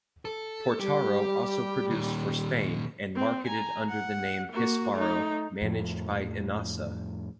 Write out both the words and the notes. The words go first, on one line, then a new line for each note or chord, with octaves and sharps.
Portaro also produced for Spain and marketed under the name Hisparo managed by Enasa.
A4
G3 G4
A#2 D#3
C4
G#5 A#5
F#5
A#3 F#4
A3 D#4
F2 A2 F3